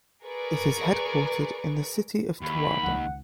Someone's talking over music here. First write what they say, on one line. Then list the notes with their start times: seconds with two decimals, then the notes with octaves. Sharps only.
It is headquartered in the city of Towada.
0.23 G#4 A#4 B4 D5 C#6
2.42 D#2 B5
2.83 C#2 D#3 F#5